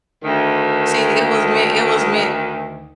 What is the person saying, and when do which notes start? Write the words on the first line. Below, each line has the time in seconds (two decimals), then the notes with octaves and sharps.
See, it was meant it was meant
0.24 D2 D#3